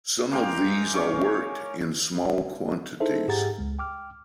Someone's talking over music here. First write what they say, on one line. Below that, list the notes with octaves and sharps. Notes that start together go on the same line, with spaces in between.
Some of these are worked in small quantities.
G#3 A#3 F5 G5
C#4 C#6 D6
D#4 E4 G#4 A4 C5 E5
G#2 G4 G#4 F#5 A#5 A6
C#2 G#3
G5 D6 F6